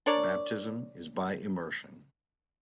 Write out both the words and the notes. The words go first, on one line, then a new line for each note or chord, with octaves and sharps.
Baptism is by immersion.
D4 A#4 C#5 D5